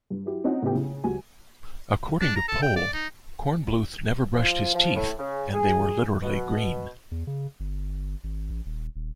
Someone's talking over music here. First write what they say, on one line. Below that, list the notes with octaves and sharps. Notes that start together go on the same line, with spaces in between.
According to Pohl, Kornbluth never brushed his teeth, and they were literally green.
G2
F#3 E4 G4
C4 C#4 D#4 F4 F#4 F#5
A2 C#3 B3 E4 G4 G5
C#3
C#2 F#3 G4 G#5
D4
A#5
A4
G5
D5
D#4
F3
F3
A2
C#3
G#4
B2
E2
C#3
G1
G#1
A1
D#1
D#1